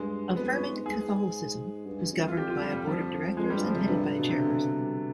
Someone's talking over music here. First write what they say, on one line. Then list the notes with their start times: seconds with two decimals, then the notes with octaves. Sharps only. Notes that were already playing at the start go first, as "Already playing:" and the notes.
Affirming Catholicism is governed by a board of directors and headed by a chairperson.
Already playing: G2 G#3
0.36 F2 B3
0.53 G2
0.70 G#2
0.86 G#2 G#4
1.86 G2
2.12 F2
2.28 F4
2.37 F2 G4
2.50 F4
2.62 G3
2.75 G3
2.87 F3
3.37 F2 G#3
3.50 G3
3.55 G2
3.63 F3
3.71 F2 C3
3.87 G2 D3
4.18 B2
4.29 C3
4.38 D3